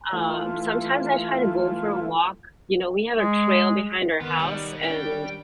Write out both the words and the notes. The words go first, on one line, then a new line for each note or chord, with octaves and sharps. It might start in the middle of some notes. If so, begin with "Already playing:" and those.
uh, sometimes I try to go for a walk. You know, we have a trail behind our house, and
E3 A3 F4
G#3
D#3 B3 F4 F#5
D#2 B2 G3 D#4 F#4
G3 C#4 D4 D5 G5